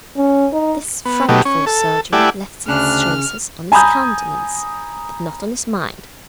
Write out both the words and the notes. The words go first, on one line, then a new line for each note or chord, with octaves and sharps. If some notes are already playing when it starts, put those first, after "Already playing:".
This frightful surgery left its traces on his countenance, but not on his mind.
C#4
D#4
B3
B2 F#3 A3 D#4 G4
C#4
A4
A3 E4 G4 D5 F#5 G#5
D2 C#3 D4 F6 F#6
G#5 A#5 B5 D#6 G6